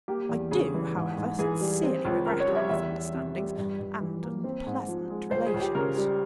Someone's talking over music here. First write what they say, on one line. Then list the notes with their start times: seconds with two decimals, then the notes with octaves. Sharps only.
I do, however, sincerely regret our misunderstandings and unpleasant relations.
0.08 A#3 G4
0.29 E2
0.51 C#3 G#4
0.74 E3
0.95 G#2
1.17 G#2
1.39 E3 G#4
1.61 G3
1.83 C4
2.05 C#2
2.26 C#3 A#4
2.40 C#5
2.47 G3
2.55 E5
2.69 E2 E5
2.92 E2
3.14 C3
3.35 G3
3.57 G2
3.79 G2
4.01 E3
4.23 A#3
4.44 C4
4.66 G#2
4.88 F3
5.10 G#3
5.31 C#2 C5
5.46 G#4
5.54 C#2
5.61 G4
5.75 C#3 A#4
5.97 G3